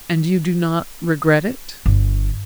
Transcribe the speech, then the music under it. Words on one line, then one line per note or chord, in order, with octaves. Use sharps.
"And you do not regret it?"
G1